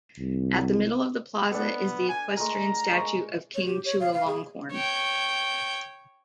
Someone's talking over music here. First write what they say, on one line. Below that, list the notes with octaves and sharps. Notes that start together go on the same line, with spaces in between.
At the middle of the plaza is the equestrian statue of King Chulalongkorn.
C2
B3 D4 A4
G#5
G#3 A3 A#4 A#5
G#3 A#4 C#6
C#5
G4
C#5
F5
F5
G#4
C#5 G5